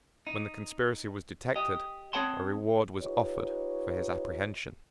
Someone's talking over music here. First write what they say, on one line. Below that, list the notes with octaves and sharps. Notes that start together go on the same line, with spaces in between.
When the conspiracy was detected, a reward was offered for his apprehension.
D#4
G4 D#5
C4 G#4 C#5 F#5 A5 C6
D#4 F4 G4 B4 C#5